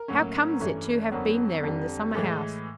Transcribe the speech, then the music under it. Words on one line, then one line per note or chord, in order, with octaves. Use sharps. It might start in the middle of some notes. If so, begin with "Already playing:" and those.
How comes it to have been there in the summer-house?
Already playing: A#4
A2 F#3 A#3 C#4
G2 E3 A3 C#4
F2 D3 F#3 B3 A#4
F2 D3 G3
A2 E3 G#3 A4